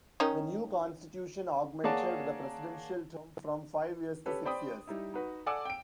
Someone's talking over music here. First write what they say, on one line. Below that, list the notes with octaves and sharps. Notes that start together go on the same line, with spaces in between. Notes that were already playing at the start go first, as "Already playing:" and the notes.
The new constitution augmented the presidential term from five years to six years.
D#3 C#4 D#4
A#3 G#4 C#5 D5 F#5 A5
C#4 G4 A4 B4
C5 D5 G5 B5 C6 D#6
G3 D#4 E4
D#4 F#4 B4
A4 D5 F#5 G#5 D6 E6
G5 D7